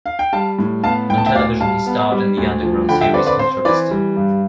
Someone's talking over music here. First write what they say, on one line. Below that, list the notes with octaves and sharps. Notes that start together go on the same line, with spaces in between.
On television he starred in the underground series "Ultra Vista!".
F5
G5
G3 F5 A5
A2
B3 F5 A5
A2 G5
A5
E5 G5
D2 D5 F5
G3 F5 A5
B3
G3
D2
F3
D3 G5 B5
E5 G5
C4 B4 D5
B4 D5
C4 C5
E3 B4 D5
G3
G2